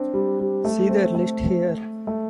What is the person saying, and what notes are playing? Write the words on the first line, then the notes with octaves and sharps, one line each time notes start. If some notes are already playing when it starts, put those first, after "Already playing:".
See their list here.
Already playing: C4 D4
G3
G3
A3
C4
A3
A3